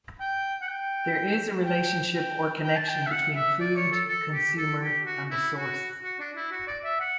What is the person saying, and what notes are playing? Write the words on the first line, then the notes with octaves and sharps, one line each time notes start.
There is a relationship or connection between food, consumer, and a source.
G5
F#5
G5
G5
G5
G5
A5
G5
E5
F#5
E5
D5
C#5
A4
A4
G4
A4
G4
F#4
E4
F#4
F#4
D4
E4
F#4
D5
E5
F#5